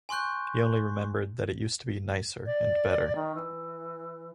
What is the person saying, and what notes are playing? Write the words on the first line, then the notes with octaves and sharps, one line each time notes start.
He only remembered that it used to be nicer and better.
G#5 C6 C#6 F#6 G6
D5
D#3
E3